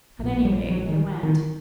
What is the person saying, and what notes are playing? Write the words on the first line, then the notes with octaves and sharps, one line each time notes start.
At any rate, they went.
A#1 A#2
G3
F#3
D#3
D#3